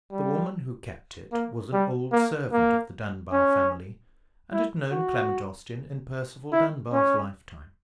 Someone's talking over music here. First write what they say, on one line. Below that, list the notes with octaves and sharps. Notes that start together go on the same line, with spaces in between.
The woman who kept it was an old servant of the Dunbar family, and had known Clement Austin in Percival Dunbar's lifetime.
G3
A#3
G3
A#3
A#3
C#4
E4
F#4
E4
C#4